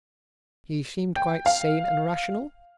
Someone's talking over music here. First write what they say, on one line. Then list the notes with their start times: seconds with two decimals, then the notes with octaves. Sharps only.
"He seemed quite sane and rational?"
1.16 G5
1.46 F5